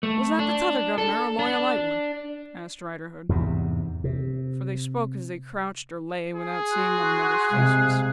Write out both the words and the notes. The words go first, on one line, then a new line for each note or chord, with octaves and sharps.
'Was that the T'other Governor, or Lawyer Lightwood?' asked Riderhood. For, they spoke as they crouched or lay, without seeing one another's faces.
A3
D4
A4
D4
E2 G#2 C3
C3
G#4
F#4 C6 F#6
C3 G#3 F5 F#6